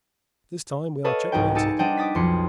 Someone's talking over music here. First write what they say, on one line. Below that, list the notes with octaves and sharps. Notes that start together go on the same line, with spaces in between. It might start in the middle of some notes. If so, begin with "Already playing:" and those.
"This time we are checkmated."
A4 B4 C#5 D#5 F5
C2 G#2 D#4 F#4 B4 G5
D#4 G4 G#4 E6 A6 C#7
G3 D4 C5 D#5 F#5 G5
D6 D#6 A6 B6
B1 F2 C6 C#7